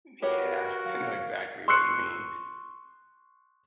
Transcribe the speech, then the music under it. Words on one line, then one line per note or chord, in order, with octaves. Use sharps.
Yeah, I know exactly what you mean.
F#4 G4 A#4 B4 C#5 F#5
F5
C6 C#6 E6 F#6 C7 C#7